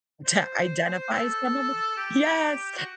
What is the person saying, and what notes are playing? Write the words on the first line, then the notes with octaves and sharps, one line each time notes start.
to identify some of 'em. Yes,
C5
A4
G4
F#4